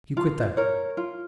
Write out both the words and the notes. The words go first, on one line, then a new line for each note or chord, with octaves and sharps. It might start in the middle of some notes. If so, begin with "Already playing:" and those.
"You quit that!"
F4
A#4 C#5
F4